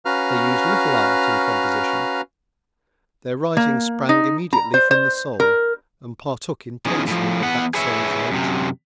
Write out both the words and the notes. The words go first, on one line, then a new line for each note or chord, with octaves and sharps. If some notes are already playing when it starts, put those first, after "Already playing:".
They used little art in composition. Their writings sprang immediately from the soul-and partook intensely of that soul's nature.
C#4 F#4 B4 F5 A#5 F6
A#3
D#4
A#5
C5
C5
A#4
E3 B3 C#4 D#4 F4 G#4
A2 F3
E2 B3 F#5
G#4 B4 C#5 E5
F#2 C3